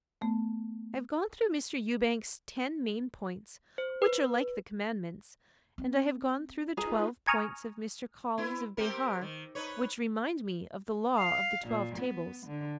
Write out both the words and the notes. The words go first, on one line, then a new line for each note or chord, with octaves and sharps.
I have gone through Mr. Ewbank's ten main points which are like the Commandments, and I have gone through the twelve points of Mr. Collins of Behar, which remind me of the law of the Twelve Tables.
A3 B3
C5
B4
C4
D#4 F4 G#4 B4 A#5
G#5 A#5 C#6 D#6 F6
B3 E4
C4 G4 A#4
D#3
D#4 B4 C#5
F5
A#2
B3
D3